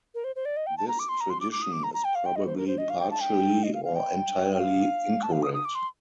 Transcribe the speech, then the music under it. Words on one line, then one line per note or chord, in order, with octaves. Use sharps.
This tradition is probably partially or entirely incorrect.
A#4
C5
C5
D5
D#5
G5
A5
A#5
D6
C6
A#5
C6
D6
D6
D#6
D6
A#5
A#5
G5
F5
G5
D#5
C5
A#4
C5
D#5
F5
G5
A5
G5
D#5
F5
F5
G5
G5
F5
A5
F5
D#6
D#6
D6
C6